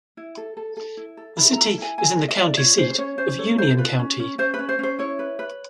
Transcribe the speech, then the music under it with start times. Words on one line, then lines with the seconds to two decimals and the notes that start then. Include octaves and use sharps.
The city is the county seat of Union County.
0.17 E4
0.37 A4
0.57 A4
0.77 A4
0.97 E4
1.17 A4
1.37 E4 B5
1.52 A#5
1.57 A4
1.67 A5
1.78 E4 G#5
1.98 A4 G#5
2.17 E4 D#5
2.28 D#5
2.38 E4 D5
2.57 F4 C#5
2.78 C#4 C5
2.90 C5
2.98 C#4 C#5
3.18 C#4 C5
3.38 A4 C#5
3.58 F4 C5
3.78 F4 B4
3.99 C#4
4.19 C#4
4.38 C#4 C5
4.54 B4
4.59 C#4
4.69 C5
4.79 C#4 C5
4.99 E4 C#5
5.19 B4
5.39 B4